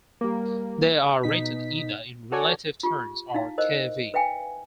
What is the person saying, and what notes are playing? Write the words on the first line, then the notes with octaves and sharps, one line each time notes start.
They are rated either in relative turns or Kv.
G3 A#3
B2 D#4 B6
F#4 A4 C#5 D5 G#5
F4 G4
D#4 E4 F5
A#4 C5 D#5
B4 E5 F5 G5 G#5